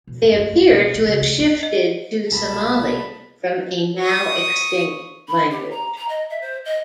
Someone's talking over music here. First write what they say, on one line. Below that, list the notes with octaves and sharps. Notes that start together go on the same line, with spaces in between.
They appear to have shifted to Somali from a now-extinct language.
B2
F#2
A3
G#1
B2
A#1
C#3
D2
C4
D#5
C2 B2 A5 B5
C#6 D#6
B5
G4
A#5
A#5
D#5
E5
C5
D#5